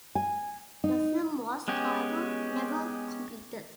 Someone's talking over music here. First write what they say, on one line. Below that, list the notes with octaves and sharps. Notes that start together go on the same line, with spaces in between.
The film was, however, never completed.
G#5
D#4
G#3 B3 C#4 G4